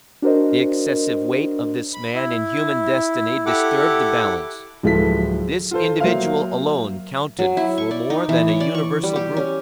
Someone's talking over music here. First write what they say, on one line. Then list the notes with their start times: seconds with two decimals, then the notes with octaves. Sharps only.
The excessive weight of this man in human destiny disturbed the balance. This individual alone counted for more than a universal group.
0.22 D4 F#4 A#4 C5 D#5
1.94 B5
2.15 E4
3.46 E4 G4 A4 F#5 D6
4.83 D1 F3 G#3 E4 A4 B6
5.71 F4 A4 C5
6.00 F#3 A#3 C5 E5 F5
7.39 F#3
7.57 E4
7.78 C#6
7.91 D5
8.10 D#4
8.29 E3
8.48 C#5
8.60 D5
8.74 C#6
9.03 G3
9.16 G4
9.37 C#4